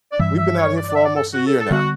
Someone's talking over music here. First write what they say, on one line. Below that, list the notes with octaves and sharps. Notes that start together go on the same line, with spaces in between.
we've been out here for almost a year now,
D5
G2 E3 G3 E5
E5
C#5
D5
D5
E5
D5
A4
F#4
A4
A4
D3 G3 B3 F#4